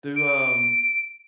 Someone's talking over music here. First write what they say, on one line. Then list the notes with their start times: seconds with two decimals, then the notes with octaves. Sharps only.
Do, um
0.16 D7